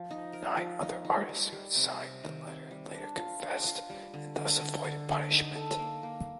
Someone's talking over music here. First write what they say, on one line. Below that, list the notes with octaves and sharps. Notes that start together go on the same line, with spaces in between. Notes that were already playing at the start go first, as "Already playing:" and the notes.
Nine other artists who had signed the letter later "confessed" and thus avoided punishment.
Already playing: F3
D#4
A#4
F3
D#4
D#4
G3
G3
C3
C3
D#3
C3
G3
D4
F4
D4
F4
G3
D3
D3
D3
D3
D3
D#4
A4
A#3
A#3